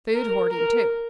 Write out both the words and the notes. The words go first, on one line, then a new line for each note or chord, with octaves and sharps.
Food hoarding, too.
A#4
A#4